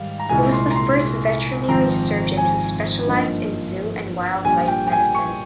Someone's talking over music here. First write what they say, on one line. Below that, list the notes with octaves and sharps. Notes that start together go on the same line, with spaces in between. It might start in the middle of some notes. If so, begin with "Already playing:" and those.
He was the first veterinary surgeon who specialized in zoo and wildlife medicine.
Already playing: G#2 D#3 G3 F5
A#5
C2 A#2 G#3 G#5
C6
A#5
C6
G#1 G#2 F3 C4 A#5
G#5
G2 F3 A#3 D#4
A#1 A#2 G3 G#5
G5
G5
G#5
C#6